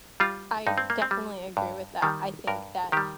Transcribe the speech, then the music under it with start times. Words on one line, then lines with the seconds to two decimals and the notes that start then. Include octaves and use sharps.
I definitely agree with that, I think that,
0.20 G3 F4
0.67 G2 D#4
0.78 C4
0.90 A#3
1.02 C4
1.11 G3
1.57 G2
2.02 D#3 G3
2.47 G2 A#4
2.92 D#3 G3 G4